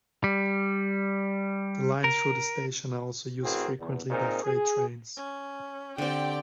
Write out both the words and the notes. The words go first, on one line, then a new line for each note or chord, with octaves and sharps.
The lines through the station are also used frequently by freight trains.
G3
A#4
A1 E3 C4 F#4 G#4 A#4
E2
A#2 C4 D#4 G#4 A#4 C5
G#4
C#4
D3 C4 G4 D5 G5